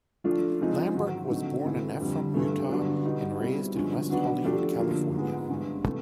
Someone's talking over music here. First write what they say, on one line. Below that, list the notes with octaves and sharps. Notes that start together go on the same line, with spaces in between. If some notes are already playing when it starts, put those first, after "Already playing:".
Lambert was born in Ephraim, Utah, and raised in West Hollywood, California.
F3 A3 D4 F4
C#3 F3 G#3 C4 D#4
G#2 D#3 F#3
D3 F#3 A3 C4 D#4
G#2 E3 A3 C4 E4
F2 D3 G3
G2 E3 A3
G2 D3 F#3 B3 D4
B2 G3 B3 D#4
B2 G3 C4 E4 G#4
G2 D3 F3 G#3 C#4
D#3 F#3 B3 D4 F#4
F3 A3 D4 G4
F#2 D3 F3 A#3
G#2 F3 G#3 B3
G2 E3 G#3
C3 E3 A3